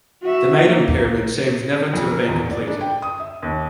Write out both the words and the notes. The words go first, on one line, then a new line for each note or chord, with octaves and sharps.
The Meidum Pyramid seems never to have been completed.
F#4 E5
A#3
F2
A#4
E2
D5
D4
G5
D#6
E5
D#2